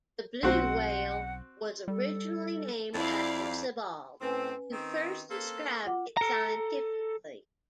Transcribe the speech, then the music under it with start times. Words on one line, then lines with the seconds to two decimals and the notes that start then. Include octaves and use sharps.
The blue whale was originally named after Sibbald, who first described it scientifically.
0.43 B1 C4 F#4 C5 F#5
1.88 G3 A4
2.94 F2 E4 D5 F5
4.21 A2 C4 C#4 B4 G#5
4.72 D#3 C4
5.30 A#3 C4 A4
5.85 F4 F#5 D6
6.17 A4 A#5